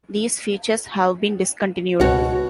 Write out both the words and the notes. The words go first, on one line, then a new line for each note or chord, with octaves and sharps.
These features have been discontinued.
C#2 B2 F#4 C#5